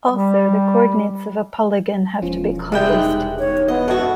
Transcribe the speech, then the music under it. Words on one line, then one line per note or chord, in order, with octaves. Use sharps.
Also the coordinates of a Polygon have to be closed.
G3
E1 F3 C#4 F4
C3 G3 G#3 G5
D#4 F#6
C#5
B3 D#5
F#2 F#4 A4 D#5 A5